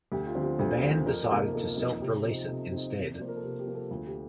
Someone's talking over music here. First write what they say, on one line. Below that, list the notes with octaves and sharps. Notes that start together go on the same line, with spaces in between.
The band decided to self-release it instead.
D2 G4
F4
D3 F3 C4
G4
D2 G4
D3 F3 C4
F2 A#4
A#4
C3 F3 A#3 D#4
A#4
F2 A4
C3 F3 A#3 D#4
C3 G4
F3 C4 D#4
C3 A4
F3 C4 D#4
C3
D5
F3 A#3 C5
A#4
A4
C3 G4
G4
F3 A#3
A4
D2 F4
G4